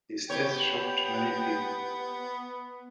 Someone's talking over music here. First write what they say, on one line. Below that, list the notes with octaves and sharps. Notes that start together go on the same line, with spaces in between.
His death shocked many people.
B3 G4 C#5 G5